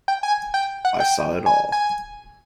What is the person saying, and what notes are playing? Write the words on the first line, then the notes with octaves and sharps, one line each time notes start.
I saw it all.
G5
G#5
G5
F#5
G5
G#5
G#5